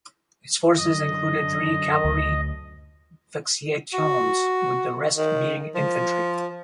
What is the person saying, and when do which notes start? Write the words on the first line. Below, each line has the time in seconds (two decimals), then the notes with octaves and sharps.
His forces included three cavalry "vexillationes" with the rest being infantry.
0.78 F#2 D3 D#5
2.05 D2
3.93 F#4
5.17 D#3
5.75 F3